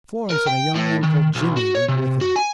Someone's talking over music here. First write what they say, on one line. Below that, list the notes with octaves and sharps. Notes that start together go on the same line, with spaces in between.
And Florence and a young man called Jimmy went with him.
A#4
G5
A2
D#3
B1
F#4
C#5
C3
F#4
G#5